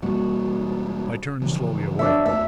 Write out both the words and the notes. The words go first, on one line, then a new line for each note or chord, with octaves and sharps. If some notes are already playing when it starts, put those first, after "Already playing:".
I turned slowly away.
E1 G3 A#3 F#4
C#3 E3 F3
F#2 D4 E5
E2 A3 E5